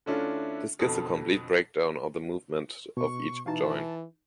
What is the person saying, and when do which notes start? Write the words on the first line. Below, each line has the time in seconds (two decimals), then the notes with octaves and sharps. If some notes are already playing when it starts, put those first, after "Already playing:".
This gives a complete breakdown of the movement of each joint.
0.06 D3 A3 C#4 D4 E4 F4
0.79 F2 B2 D3
2.97 B2 C#6
3.46 E3 D#4 F#4 F5 A5